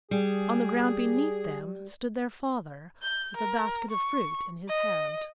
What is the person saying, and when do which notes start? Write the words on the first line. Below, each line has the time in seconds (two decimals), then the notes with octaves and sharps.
On the ground beneath them stood their father with a basket of fruit in his hand.
0.11 G3 G#4
3.02 G6
3.37 A#4
3.91 C#6
4.68 D#5